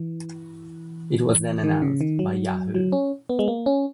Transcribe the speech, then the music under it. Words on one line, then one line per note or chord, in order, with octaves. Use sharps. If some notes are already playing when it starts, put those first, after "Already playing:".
It was then announced by Yahoo!
Already playing: E3
D#3
C#3
D#3
F#3
F#3
C#4
B3
G#3
A#3
C#4